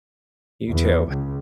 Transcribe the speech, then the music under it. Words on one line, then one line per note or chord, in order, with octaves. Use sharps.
You too.
E2
C#2